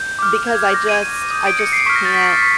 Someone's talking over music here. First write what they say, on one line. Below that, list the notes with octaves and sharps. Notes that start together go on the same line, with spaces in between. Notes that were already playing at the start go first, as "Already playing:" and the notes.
because I just I just can't
Already playing: G6
D6 F6
G#6
C#6 F6 A#6
D#7
D#7
D#6 G6
D7
C#7
C7
C#6 F6 B6
A#6
A6
B6
C#6